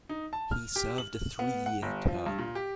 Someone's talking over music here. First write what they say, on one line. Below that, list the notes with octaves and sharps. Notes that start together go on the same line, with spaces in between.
He served a three-year term.
D#4
A5
F6
G4
F#7
B3
F#5
G1
F3
G2
A#2
G4